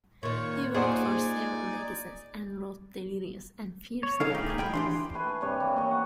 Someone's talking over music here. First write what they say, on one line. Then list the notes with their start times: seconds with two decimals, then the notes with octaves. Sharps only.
He worked for several magazines and wrote delirious and fierce life-chronicles.
0.23 A#2 D#3 C#5 C#6
0.75 A#2 D#4 G#4 C5 D5 F#5 G#5
4.03 C#5
4.20 C#3 D#4 A4 F5
4.35 A2 D#4 G4 G#4
4.58 A#2 G5 B5
4.73 E3 D4 G4 C6
5.14 A3 B4 G#5
5.41 G2 C3 G3 C#5
5.60 E3 A#3
5.76 C#4 D#5 G#5 C#6
5.91 F#5